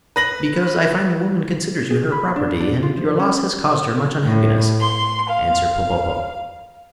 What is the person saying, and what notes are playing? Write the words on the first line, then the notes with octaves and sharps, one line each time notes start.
"Because I find the woman considers you her property, and your loss has caused her much unhappiness," answered Popopo.
B4 A#6 F#7
G#4
B5
D4
D4
F4
F3
C#4
A2
C6
F5